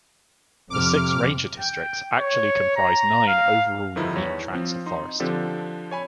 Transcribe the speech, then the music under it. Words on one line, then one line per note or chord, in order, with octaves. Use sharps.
The six ranger districts actually comprise nine overall unique tracts of forests.
F2 C3 D6 F6
G5
C#5
A#5
F5
G2 D3 D#3 F3 D#4 E4
E2 C#5
F3 C4
D#4 C6
D3 F3 C4 D4 G4 A4
C#5 G#5 B5